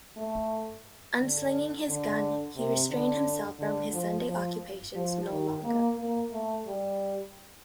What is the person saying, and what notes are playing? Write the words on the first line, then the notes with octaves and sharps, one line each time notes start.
Unslinging his gun, he restrained himself from his Sunday occupations no longer.
A3
D3
D3
C3
D3
D3
F3
F3
F3
D#3
A#3
A#3
A3
G3